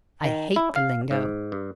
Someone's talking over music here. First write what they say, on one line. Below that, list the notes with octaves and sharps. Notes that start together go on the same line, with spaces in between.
'I hate the lingo.
D#3
E4
F5
G#2
G2